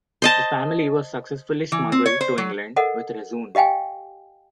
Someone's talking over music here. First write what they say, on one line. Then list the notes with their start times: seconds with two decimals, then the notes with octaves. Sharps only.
The family was successfully smuggled to England with Rezun.
0.22 C5 D#5 A5
1.72 E3
1.92 C4
2.06 C#5
2.21 C5
2.38 F#3
2.76 A4 A#4 D#5 F#5
3.55 G4 D#5 F5 G5 G#5